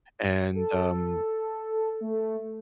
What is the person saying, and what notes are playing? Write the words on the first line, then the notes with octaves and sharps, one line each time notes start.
and, um,
A4
A3